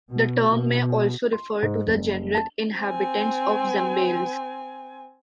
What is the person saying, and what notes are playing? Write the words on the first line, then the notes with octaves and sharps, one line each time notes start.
The term may also refer to the general inhabitants of Zambales.
B2
B2
C6
G#2
F#1
A5
C4 G#5